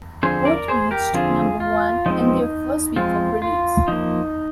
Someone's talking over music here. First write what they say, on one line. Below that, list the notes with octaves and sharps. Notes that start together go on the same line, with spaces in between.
Both reached number one in their first week of release.
D3 F3 C4 G#4 C5
A#4 D5
G#4 C5
G4 A#4
D3 F3 C4 F4 G#4
F4
F3 G#3 C4 D#4
F3 G#3 C4 F4
F4
F3 A#3 D#4